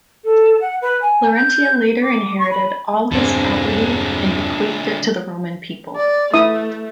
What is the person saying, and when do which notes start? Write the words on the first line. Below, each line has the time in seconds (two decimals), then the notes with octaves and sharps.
Larentia later inherited all his property and bequeathed it to the Roman people.
0.24 A4
0.61 F#5
0.81 B4
1.01 G#5
1.34 G6
2.02 D6
2.38 C#6
2.50 B5
3.12 E1 G2 D3 G#3 C4
5.96 D5
6.34 A3 E4 E5 D#6